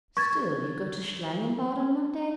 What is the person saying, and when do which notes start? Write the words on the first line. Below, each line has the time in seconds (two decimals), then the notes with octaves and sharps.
'Still, you go to Schlangenbad on Monday?'
0.17 C#6 G#6 A6